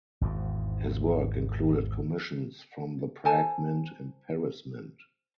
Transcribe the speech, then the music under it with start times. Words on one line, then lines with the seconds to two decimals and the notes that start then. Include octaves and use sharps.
His work included commissions from the Prague Mint and Paris Mint.
0.21 G#1 E2 G#2
3.25 A4 C5 G#5 A5